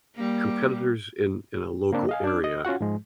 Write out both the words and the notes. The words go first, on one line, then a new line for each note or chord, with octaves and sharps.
competitors in in a local area,
G3 A#3
C#3 A#3 C4 D4
D#5 F5 G#5
D4 D6
D#5
C#4 F4 F#4 F#5
G#2 F3 G#3